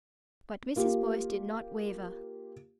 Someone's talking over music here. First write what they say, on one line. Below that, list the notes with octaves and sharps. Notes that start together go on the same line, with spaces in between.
But Mrs. Boyce did not waver.
A#3 F4 G4